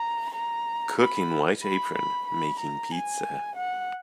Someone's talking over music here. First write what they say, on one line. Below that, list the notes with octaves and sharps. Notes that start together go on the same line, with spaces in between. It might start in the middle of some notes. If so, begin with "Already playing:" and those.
Cook in white apron making pizza.
Already playing: A#5
A#5
B5
B5
B5
B5
A#5
G#5
F#5